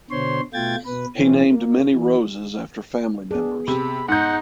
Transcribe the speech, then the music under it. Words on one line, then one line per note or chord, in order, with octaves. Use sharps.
He named many roses after family members.
B2 D3 C5 C#5 C6
B2 A3 F4 G5 G#6 A6
B2 B4
B2 E3 C4 C#4
A#3
E3
B3 D4 G#4
C3 B5
G#2 D#4 F#5 G6